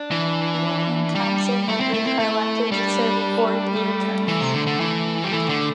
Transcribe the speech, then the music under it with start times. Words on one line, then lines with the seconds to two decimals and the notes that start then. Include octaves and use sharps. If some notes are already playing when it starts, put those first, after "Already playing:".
The Mayor and council members are elected to serve a four-year term.
Already playing: D4
0.11 E3
1.15 G3
1.68 A3 E4
1.80 C4
1.94 A3
2.07 C4
2.19 A3
2.72 G3 D4
3.76 A3
4.28 E3
4.41 C3
4.54 D3
4.67 D3
4.80 E3
5.24 G3
5.32 E3 A3
5.49 D3